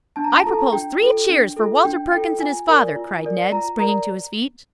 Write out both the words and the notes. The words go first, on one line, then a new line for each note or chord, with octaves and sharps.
"I propose three cheers for Walter Perkins and his father," cried Ned, springing to his feet.
D4 A5
A#5
A5
F4 A4 A#5
A5
A#5
D4 G5
F4 A4
D4
F4 A4
D4 G5
F4 A4 G5
F4 G#5
A#4 D5
F4
A#4 D5
F4 A#5
A#4 D5 A#5